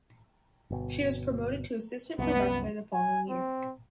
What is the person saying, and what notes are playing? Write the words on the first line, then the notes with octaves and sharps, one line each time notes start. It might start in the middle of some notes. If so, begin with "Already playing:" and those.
She was promoted to assistant professor the following year.
G1 B2
C2 F#2 B3
G#5
C4